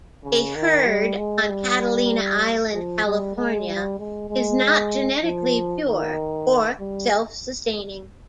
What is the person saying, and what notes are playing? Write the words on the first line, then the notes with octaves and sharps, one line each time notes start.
A herd on Catalina island, California is not genetically pure or self-sustaining.
C#3
D#3
G3
G#3
G3
F3
G3
G#3
G3
G#3
G#3
F3
D#3
G3